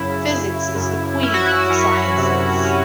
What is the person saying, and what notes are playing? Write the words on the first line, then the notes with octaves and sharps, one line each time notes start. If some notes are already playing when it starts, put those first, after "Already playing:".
Physics is the queen of the sciences.
Already playing: F#2 C#3 E4
F#2
F#2
C#4 E4
F#4
E4
C#4
C3
C#4